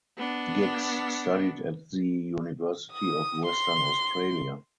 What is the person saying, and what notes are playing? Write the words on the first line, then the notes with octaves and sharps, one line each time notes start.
Giggs studied at the University of Western Australia.
B3 D4
D#6
C6